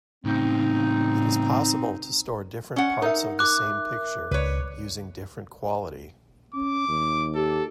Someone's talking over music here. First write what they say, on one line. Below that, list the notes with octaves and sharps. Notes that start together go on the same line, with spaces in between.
It is possible to store different parts of the same picture using different quality.
A2 C#3 C4 D#4
C#4 F#5
D#4 A#4 E5
D6 F#6
C#2 B4 C#5
C#4 D6
D#2
G4 A4